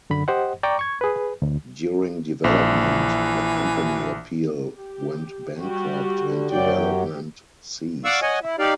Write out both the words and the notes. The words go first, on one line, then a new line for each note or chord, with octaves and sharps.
During development, the company Appeal went bankrupt and development ceased.
F#2 D3 B5
G4 C5 D#5 F#5
D5 G5 A#5 C#6 D6
C#6 G#6
G#4 B4
D2
A#1 E3
G4
G3 F#4 G4
D3
F#2 F#3 D5 G5
G4
D5 F5 F#5 C#6 D6 E6
C#5 D#5 F#5 G#5
E4
D#4 G4 D5 F5